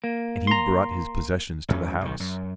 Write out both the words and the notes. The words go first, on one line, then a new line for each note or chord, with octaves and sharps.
And he brought his possessions to the house.
A#3
A#5 C6
A1 F#2 C#4
B1 D#3
F#2